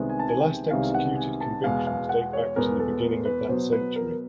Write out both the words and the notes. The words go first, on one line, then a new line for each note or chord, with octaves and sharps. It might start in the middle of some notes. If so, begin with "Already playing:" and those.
The last executed convictions date back to the beginning of that century.
Already playing: C2 C3 D#3 G#3 B3
G#5
A5
G#5
G5
C2 C3 D#3 G#3 B3 F5
F#5
G#5
A5
E2 B2 G#3 B3 F5
F5
F#5
C#5
E2 B2 G#3 B3 A#4
A4
A#4
B4
B2 F#3 B3 C5
B4
A#4